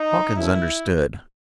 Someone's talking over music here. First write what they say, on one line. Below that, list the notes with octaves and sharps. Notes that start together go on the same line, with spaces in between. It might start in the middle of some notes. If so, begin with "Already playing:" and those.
Hawkins understood.
Already playing: D#4
F#2 C#3 E3 A3 E4